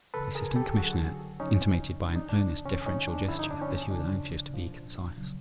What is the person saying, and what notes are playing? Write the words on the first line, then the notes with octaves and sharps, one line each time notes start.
The Assistant Commissioner intimated by an earnest deferential gesture that he was anxious to be concise.
D2 C#3 E3 A4 B4
G#4 A#4
G4 A4
A4
F#2 D3 F#3 F#4 G#4
F#2 C#3 F3 C#4 D#4
E2 C3 E3 D4
D#4
D4
G2 D3 F3 C#4
C#4 D#4
D4
G2 D3 F3 E4
D#4
D4
C#4 D#4
D#2 C#3 F3 D4
C2 A#2 F3
C#3 F#3